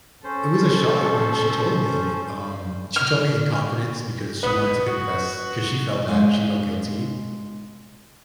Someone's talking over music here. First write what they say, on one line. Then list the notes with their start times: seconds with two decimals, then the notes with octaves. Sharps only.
it was a shock when she told me, um, she told me in confidence because she wanted to confess, 'cause she felt bad, she felt guilty
0.24 C#4 A4 C5
2.96 F6
4.43 B3 B4 D#6
4.87 F#4
6.08 G#3 F5 G#5